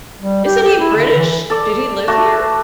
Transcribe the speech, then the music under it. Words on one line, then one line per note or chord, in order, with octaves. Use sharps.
Isn't he British? Did he live here?
G3
G4
G4
E4
D3
E3
A4 D5
A3 F#4 A5 D6